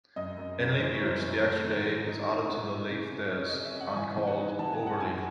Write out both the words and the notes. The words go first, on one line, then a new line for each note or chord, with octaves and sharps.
In leap years, the extra day is added to the Lithedays and called Overlithe.
F#2 D#5
F#2
C#3
E3 C5
C#5
F#2
C5
E3
A3
D#3
G#2
D#4
D#4
G#2
E4
C#3
C#3
C#4
C#5
D#5
C#3
E5
C#4
F#5
E3 G#5
E3
F#5
D#4
E3 A5
G#5
D#4
F#5
F#2 G#5